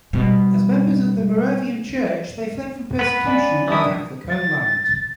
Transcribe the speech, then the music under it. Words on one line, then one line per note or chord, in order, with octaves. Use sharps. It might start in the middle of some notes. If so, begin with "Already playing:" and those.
As members of the Moravian Church, they fled from persecution in their Catholic homeland.
B2 G3
B3 B4
C#4 D5
D#3 E3 D4 E4 D#6
A6